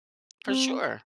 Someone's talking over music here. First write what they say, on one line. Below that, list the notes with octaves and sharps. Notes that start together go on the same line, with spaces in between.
For sure.
C4